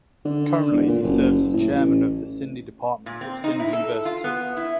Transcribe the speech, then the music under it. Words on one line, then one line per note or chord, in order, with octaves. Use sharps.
Currently he serves as Chairman of Sindhi department of Sindh university.
D3
E1
A#2
F#1
A2
A1
A#2
C4
D#4
E4
A4
F4
B3
E4